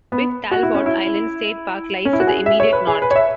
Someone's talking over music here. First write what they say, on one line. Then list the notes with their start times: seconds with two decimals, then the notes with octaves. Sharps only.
Big Talbot Island State Park lies to the immediate north.
0.12 B3
0.51 F#4
0.63 E4
0.74 C#4
0.86 E4
2.05 C#4
2.13 E4
2.20 F#4
2.27 G#4
2.46 E5
2.60 C#5
2.73 B4
2.87 G#4
3.02 B4
3.11 C#5
3.16 E5